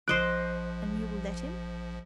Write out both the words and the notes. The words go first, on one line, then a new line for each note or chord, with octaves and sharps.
"And you will let him?"
A#1 F3 C5 D#5 D6 F#6